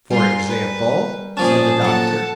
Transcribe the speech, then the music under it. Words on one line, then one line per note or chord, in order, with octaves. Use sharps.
"For example?" said the Doctor.
G3 F4 A#4 G#5 C6
B4
A#2 F3 C#4 G#4 D5 A5
F#3 A#3 A4 F#5